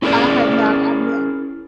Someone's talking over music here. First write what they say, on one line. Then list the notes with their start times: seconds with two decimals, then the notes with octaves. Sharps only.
I have not I've no
0.02 C#4 E4 G#4 A#4 D5